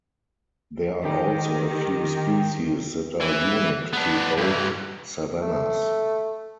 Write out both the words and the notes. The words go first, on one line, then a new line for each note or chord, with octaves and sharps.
There are also a few species that are unique to oak savannas.
D#3 G4
E3
B3 D4
G2 E3
A3